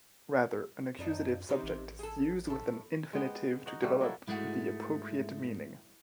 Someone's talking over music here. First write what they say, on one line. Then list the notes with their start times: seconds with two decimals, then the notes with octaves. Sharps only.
Rather, an accusative subject is used with an infinitive to develop the appropriate meaning.
0.99 F#2 F3 D4 D#4
1.49 C3 D#4
1.63 A1
1.99 G#4 A4
2.47 A2 A4
3.13 G#3 B3 G5
3.66 D#4 F#4
3.82 B2 G3 A3
4.01 F#3 A#3 E4 A4
4.28 G#2 G#3 A3 E4 F#4